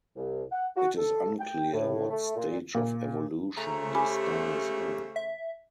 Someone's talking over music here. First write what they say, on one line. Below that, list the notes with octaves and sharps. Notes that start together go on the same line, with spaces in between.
It is unclear what stage of evolution the star is in.
C2
F#5
F#4
A4
G5
A2
A3
A#2
A#2
C#3 A3 C5 A#5
G4 G#5 B5
E5